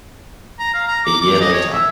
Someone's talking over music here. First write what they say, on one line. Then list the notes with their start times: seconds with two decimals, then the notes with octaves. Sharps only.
A year later.
0.59 A#5
0.74 F5
0.88 A#5
1.05 D6
1.22 D6
1.41 D#5
1.54 C#5
1.73 E5